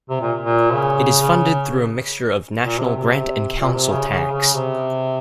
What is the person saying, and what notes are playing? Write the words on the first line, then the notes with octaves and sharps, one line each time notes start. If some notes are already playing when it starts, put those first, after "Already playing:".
It is funded through a mixture of national grant and council tax.
C3
A#2
A#2
C#3
C#3
A#2
C3
C3
A#2
C3
C#3
C#3
C#3
C3